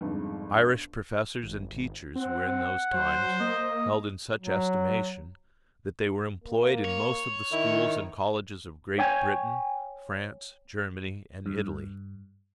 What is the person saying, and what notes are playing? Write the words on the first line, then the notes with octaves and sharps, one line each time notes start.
Irish professors and teachers were in those times held in such estimation that they were employed in most of the schools and colleges of Great Britain, France, Germany, and Italy.
G1 F2 G#2
G#1
C4 F#5
F#3 C5
A#3 D#5
F#3
A#3
C#5
D#3 E4
C#5 G5 G#5
G2